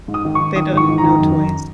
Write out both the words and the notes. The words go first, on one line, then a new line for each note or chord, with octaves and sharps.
They don't no toys.
G#2
D#6
D#3
D#3 C#6
D#3 D#6
G#2 C#6
G#2
A#5
D#3
F#2
F#2